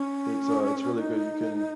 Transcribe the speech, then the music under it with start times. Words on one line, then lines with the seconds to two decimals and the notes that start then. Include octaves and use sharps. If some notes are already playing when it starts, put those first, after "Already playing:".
it's, uh it's really good. You can
Already playing: C#4
0.98 D#4